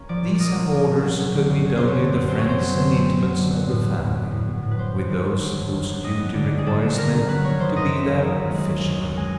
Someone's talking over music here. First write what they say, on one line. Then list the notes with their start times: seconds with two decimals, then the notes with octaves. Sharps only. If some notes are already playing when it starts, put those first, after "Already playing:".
These have orders to admit only the friends and intimates of the family, with those whose duty requires them to be there officially.
Already playing: A#3 C#4
0.09 F3 D5
0.24 A#2
0.35 D5
0.40 A#3 D#5
0.56 C#4
0.71 F3
0.87 A#2
1.02 F#3
1.18 B3
1.34 D3
1.50 F#2
1.65 F#3 C#5
1.76 C5
1.81 B3
1.88 C#5
1.97 D3
2.12 F#2
2.28 A3 C5
2.39 C#5
2.44 C4 C5
2.59 F#3
2.75 D3
2.91 A3
3.06 C4
3.22 F#3
3.38 D3
3.53 B3
3.68 A2
3.85 F#3
4.00 A2
4.15 B3
4.31 A2
4.47 F#3
4.63 A2
4.71 B4
4.78 F#3 C5
4.94 A3
5.10 D#3
5.25 F#2
5.41 F#3
5.57 A3
5.73 D#3
5.88 F#2
6.03 G3 D#5
6.19 B3
6.35 D3 D5
6.51 G2
6.58 G#4
6.66 G3 A4
6.82 B3
6.97 D3 A#4
7.13 G2
7.28 F#3 B4
7.44 A#3 C#5
7.59 D#3 C5
7.76 F#2 D#5
7.91 F#3 E5
8.07 A#3
8.22 D#3
8.38 F#2
8.54 G#3
8.69 C#4
8.86 D#3
9.01 F#2
9.16 G#3 G#5